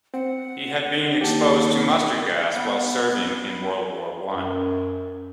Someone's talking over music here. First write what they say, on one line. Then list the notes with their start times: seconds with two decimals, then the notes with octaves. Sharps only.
He had been exposed to mustard gas while serving in World War One.
0.14 C4 F#5
1.21 D#2 G4 A5
1.76 A#4
2.54 B3
4.33 F#2